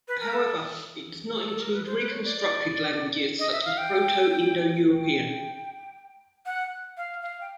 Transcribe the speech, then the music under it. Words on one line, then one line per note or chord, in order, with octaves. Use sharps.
However, it does not include reconstructed languages such as Proto-Indo-European.
B4
A#4
A4
A4
A4
A#4
B4
C5
B4
C#5
D5
D5
D#5
E5
F5
G5
G5
F#5
F5
F5
G5